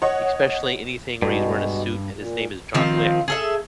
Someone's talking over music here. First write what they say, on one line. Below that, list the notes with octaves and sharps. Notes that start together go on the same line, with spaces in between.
especially anything where he's wearing a suit and his name is John Wick.
C#5 D#5 F#5
G2 B2 G#3 F#4
A#2
D#3 F3 C4 F4
G#4 A4 E5